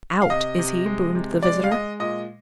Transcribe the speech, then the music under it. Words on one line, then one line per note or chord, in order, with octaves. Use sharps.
"Out, is he?" boomed the visitor.
F5
C3 D#5
C3
G#3
C3
G#3 D5
F5
G#3 D#5
A#2 D#5